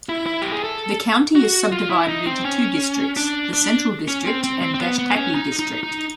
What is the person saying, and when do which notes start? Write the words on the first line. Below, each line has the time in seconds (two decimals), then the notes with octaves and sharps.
The county is subdivided into two districts: the Central District and Dashtaki District.
0.09 E4
0.26 E4
0.41 G4
0.52 G#4
0.64 A4
1.35 F#4
1.72 F4
1.90 E4
2.08 D#4
2.27 C4
2.45 C#4
3.17 D4
3.53 D4
4.08 C#4
4.26 C4
4.44 C4
4.62 C4
4.74 C4
4.81 B3
4.98 B3
5.17 C#4
5.35 D#4
5.59 D#4
5.83 D#4